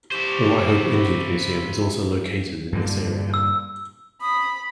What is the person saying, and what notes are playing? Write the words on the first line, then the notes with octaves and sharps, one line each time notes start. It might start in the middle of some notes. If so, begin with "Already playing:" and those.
The Ryhope Engines Museum is also located in this area.
E4 G4 C5 C#6 D6
G2 A#2 D3
E6
B5 D#6